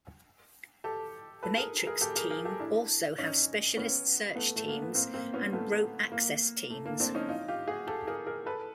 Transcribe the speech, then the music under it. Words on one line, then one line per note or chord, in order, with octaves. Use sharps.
The Matrix team also have specialist search teams and rope access teams.
G4 A4
A4 B4
G#4 A#4
G#4 A#4
G4 A4
G#4 A#4
G#4 A#4
G4 A4
D4 E4
C#4 D#4
B3 C#4
A3 B3
A3
A#3
B3
A#3 C4
A#3 C4
B3 C#4
A3 B3
A#3
A3
A#3
C4 D4
C#4 D#4
D#4 F4
F4 G4
F#4 G#4
G4 A4
G#4 A#4
G#4 A#4
A4 B4